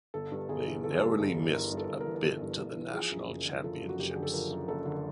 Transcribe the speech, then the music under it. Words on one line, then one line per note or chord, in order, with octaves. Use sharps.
They narrowly missed a bid to the national championships.
G1 A4
G2
G1 G#4
E3
G1 A4
G#4
G2 A4
G1
E3
G1 A#4
G2
A4
G1
A#4
E3
A#4
G1 A4
G2
G1
E3
F3 G#4
F#2
F#1
D3
F3 A4
F#2
F#4
F#1 G4
G#4
D3
A4
F3 A#4
F#2
F#1 A4
D3